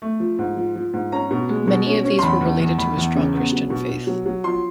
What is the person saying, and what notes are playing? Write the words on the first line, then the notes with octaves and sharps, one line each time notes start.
Many of these were related to his strong Christian faith.
A3
F3
G#2
F3
F3
G#2
C#4 A#5
B2
G#3
B2
C#4
C#4
C6
E2 B5
E2
E2
E2 B5
E2
C#3
B3
F#3
B2
B2
F#3
F#3
F3 C6